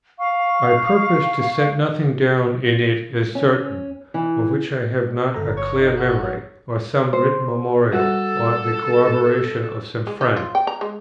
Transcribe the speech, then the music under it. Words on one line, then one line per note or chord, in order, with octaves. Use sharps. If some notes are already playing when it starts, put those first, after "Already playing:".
I purpose to set nothing down in it as certain, of which I have not a clear memory, or some written memorial, or the corroboration of some friend.
F5 C#6
C#4
E3
G1 A4 A#5
C#5
D#4
F#4
F#3
C5
G3 F#4 A4
G#3
D#4
F4
G5
A#5
G#3